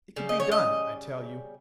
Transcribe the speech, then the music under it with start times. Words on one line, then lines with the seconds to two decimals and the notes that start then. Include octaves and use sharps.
It could be done, I tell you.
0.16 C#3 G3
0.29 D#5
0.40 C#5
0.52 D#5